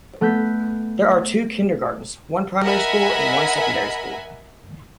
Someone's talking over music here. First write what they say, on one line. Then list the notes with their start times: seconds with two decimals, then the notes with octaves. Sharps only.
There are two kindergartens, one primary school and one secondary school.
0.21 A3 B3 F#6 G6 B6
2.62 A#4 D#5 E5 F#5 G#5 B5